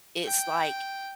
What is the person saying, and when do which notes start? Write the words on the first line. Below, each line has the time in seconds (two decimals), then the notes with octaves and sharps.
It's like
0.25 G5